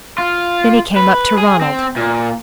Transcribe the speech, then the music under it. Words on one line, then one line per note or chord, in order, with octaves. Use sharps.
Then he came up to Ronald.
F4
B4
G#4
C4
A#2